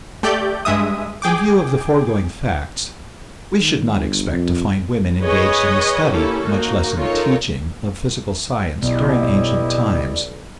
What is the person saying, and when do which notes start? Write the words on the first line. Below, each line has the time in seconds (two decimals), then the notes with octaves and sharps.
In view of the foregoing facts, we should not expect to find women engaged in the study, much less in the teaching, of physical science during ancient times.
0.23 A3 G4 D5 G6
0.65 G2 G#3 E5 D#6
1.22 G#4 G5 D6
3.61 D#3
3.96 G1
4.32 F2
5.22 G#4 B4 C#5 D#5 D#6
6.12 A#3 C#4 E4 G4 A4
6.45 A#3 D#4 F#4
6.99 C#4 D#4 F4 A4 A#4 C#5
8.83 B1 B2 E4 G4 D5 D#5